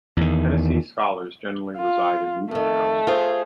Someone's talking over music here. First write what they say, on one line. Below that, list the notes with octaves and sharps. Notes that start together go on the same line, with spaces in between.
Hennessy Scholars generally reside in Wotton house.
E2 D#3
F4
F2 D#3 A3
F4 G#4 C5